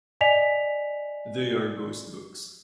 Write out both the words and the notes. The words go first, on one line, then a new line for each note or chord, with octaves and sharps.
They are ghost books.
D5 D#5 G#5 B6 F7